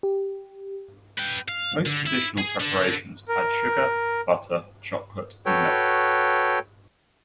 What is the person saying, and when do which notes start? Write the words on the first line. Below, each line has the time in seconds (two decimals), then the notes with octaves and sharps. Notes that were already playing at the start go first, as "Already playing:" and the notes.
Most traditional preparations add sugar, butter, chocolate and milk.
0.03 G4
1.18 B4 G5
1.48 F5
1.86 D3
2.07 E4
2.38 G#4
2.60 D3
3.28 A#4
5.46 F#4 A4 B4 C#5 G5